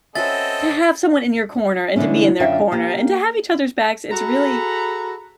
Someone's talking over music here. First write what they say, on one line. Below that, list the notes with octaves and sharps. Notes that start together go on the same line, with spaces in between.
to have someone in your corner and to be in their corner and to have each other's backs. It's really
C4 C#4 F#4 A4 B4 D#5 E5 A6
D3 E3 G#3 A3 C#4
F#2 D3 F4 E5 G5
A#3 G4
F#4 G#4 A4 A#5 B5